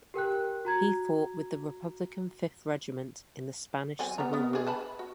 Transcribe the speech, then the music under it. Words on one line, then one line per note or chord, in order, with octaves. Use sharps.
He fought with the Republican Fifth Regiment in the Spanish Civil War.
G4 A#4 G5 F#6
F#4 A#5 G#6
F#3 C4 G#5
G3 B3 A#5
B3 A#4
D4 G#4
B4 A5 B5
F#4